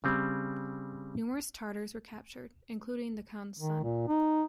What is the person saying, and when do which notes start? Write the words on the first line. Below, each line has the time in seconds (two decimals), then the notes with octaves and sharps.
Numerous Tatars were captured, including the Khan's son.
0.04 C#3 G3 C4
3.59 D#3
3.84 A#2
4.08 D#4